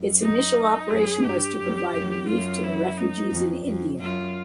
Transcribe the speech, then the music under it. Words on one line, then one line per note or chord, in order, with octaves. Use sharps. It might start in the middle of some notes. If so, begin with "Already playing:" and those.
Its initial operation was to provide relief to the refugees in India.
Already playing: F#2
D#4
F#2 G#4
G2 G4
F#2
F#2
F#2 F4
E4
D#4
F2
F2
F#2 F4